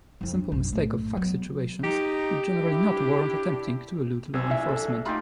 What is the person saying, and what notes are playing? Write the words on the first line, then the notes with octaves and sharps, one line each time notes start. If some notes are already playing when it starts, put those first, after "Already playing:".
Simple mistake of fact situations would generally not warrant attempting to elude law enforcement.
F2 E4
D4
A#1 F#2
A2
F#3 B3
D#4 G4
D4 E4
B1 C4 G#5 E6
A#1 E4 E5
A4
A3 D#4 F4 G4 G5 B5